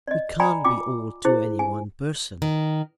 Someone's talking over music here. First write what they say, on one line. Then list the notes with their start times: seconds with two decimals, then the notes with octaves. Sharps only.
We can't be all to any one person.
0.08 D5 D#5
0.40 D5 G5 G#5 A#5 B5
0.65 F4 G5 D6
1.25 E4 G#4 C5
1.59 G#5
2.42 D#3